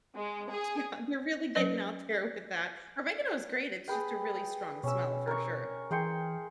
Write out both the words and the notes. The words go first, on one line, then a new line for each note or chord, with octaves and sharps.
Yeah, you're really getting out there with that, oregano is great, it's just a really strong smell for sure.
G#3
G#4
F#3 C#4 B4 D#5
G#4 B4 G5
B2 C#4 E6
A#4 C#6
E3 G#4 G5 C6 C#7